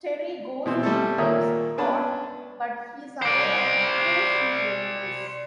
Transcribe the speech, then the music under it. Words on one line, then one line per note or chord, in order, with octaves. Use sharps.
Terry goes to meet Scott, but he's aware of who she really is.
B2 E3 C4
G3 A3 A4
G#1 A#2 A#3 C#5 E5 D#6
B3 C#4 D4 A5
C5 D5